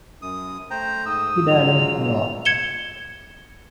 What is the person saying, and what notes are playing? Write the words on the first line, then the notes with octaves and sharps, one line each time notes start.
He died in New York.
F#2 D#6
A3 C5 G5 A#5
G#2 D#6 E6
F#3 G#3 F4 F7
G#6 C#7 E7 G7